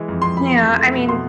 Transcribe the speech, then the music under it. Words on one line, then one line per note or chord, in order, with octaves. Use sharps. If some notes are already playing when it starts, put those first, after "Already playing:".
Yeah, I mean
Already playing: E3 G#3
F2
F2 C6
F2 B5
E3
F2
A3
B2
B2 C6